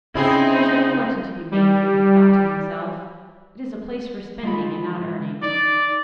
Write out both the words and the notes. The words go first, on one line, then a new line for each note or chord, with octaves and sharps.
'There is no fortune to be made here,' he thought to himself; 'it is a place for spending, and not earning.
C#3 C4 D#4 E4 G#4
G3
G#3 F4 B5
D#4 D5